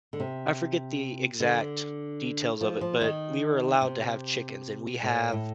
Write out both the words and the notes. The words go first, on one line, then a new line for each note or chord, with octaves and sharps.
I forget the exact details of it, but we were allowed to have chickens, and we have,
D3
C3
D3
F3
F3
D#3
C3
A2
A2